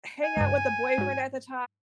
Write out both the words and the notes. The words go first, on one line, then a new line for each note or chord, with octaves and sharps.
hang out with the boyfriend at the ti
G#5
C#2 G2
G#2 F#3